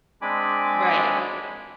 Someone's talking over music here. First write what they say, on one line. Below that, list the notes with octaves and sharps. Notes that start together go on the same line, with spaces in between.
Right, it will
G#3 C4 D4 G#5 B5 D6